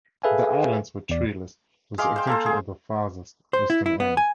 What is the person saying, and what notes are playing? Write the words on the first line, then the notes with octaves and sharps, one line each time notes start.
The Islands were treeless with the exemption of the farthest eastern end.
G#4 A4 B4 E5 F5 G#5
E2 D5
G#3 F5 C6 D6
C5 G5
A#3 A4 C5
G#4
C5
E4
E4
B3
G#5